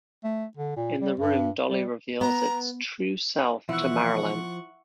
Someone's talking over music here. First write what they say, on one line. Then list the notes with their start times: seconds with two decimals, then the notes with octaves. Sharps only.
In the room Dolly reveals its true self to Marilyn.
0.24 A3
0.57 D3
0.76 A#2
1.01 G3
1.20 G2
1.69 G3
2.21 B3 A#5
3.69 B2 E3 F3 E4 F#5 C#6 F#6